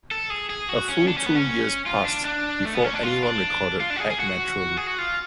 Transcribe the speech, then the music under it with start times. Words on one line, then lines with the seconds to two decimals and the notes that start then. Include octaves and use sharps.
A full two years passed before anyone recorded "Act Naturally".
0.11 A4
0.30 G#4
0.50 G#4
0.69 F#4
0.89 C#4
1.08 D4
1.17 C#4
1.26 B3
1.35 C#4
1.86 F4
2.05 D4
2.25 D4
2.65 A3
2.75 B3
2.84 C#4
2.94 D4
3.03 F4
3.23 D4
3.80 F4
3.90 D4
3.96 F#4
4.00 G#4
4.11 G#4
4.20 F#4
4.77 G#4
4.87 F#4
4.98 F4